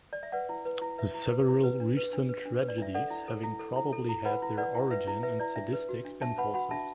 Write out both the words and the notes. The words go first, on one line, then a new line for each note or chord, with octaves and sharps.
Several recent tragedies having probably had their origin in sadistic impulses.
D5
E5
B4 D5 F#5
E4
B4
E4
B4 E5
E4
B4
E4
B4
D4
B4
D4
B4
D4
B4
D5
D4 E5
A4 D5 F#5
E4
A4
E4
A4
E4
A4
E4
B4 F#5 B5
E4
B4 D5 F#5
E4
B4 E5
E4
B4 E5
E4 D5
D4 E5
B4
F#4
D4
D4 E5 A5
B4 F#5 B5
F#4 F#5 B5
D4 E5 A5